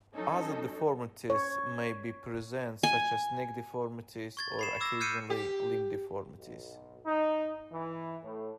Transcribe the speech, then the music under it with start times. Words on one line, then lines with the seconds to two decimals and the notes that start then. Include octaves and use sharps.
Other deformities may be present, such as neck deformities, or, occasionally, limb deformities.
0.15 F#3 C#4 D#4 A4 D#5
1.30 C#5
2.83 G#5
4.37 C#6 G#6 A6
4.59 B5 C7 E7
4.80 D6 E6 G#6 A#6
5.00 F6 G6 G#6 C7 C#7 D#7
5.30 G4
6.36 B1
7.05 D#4
7.72 E3
8.24 A2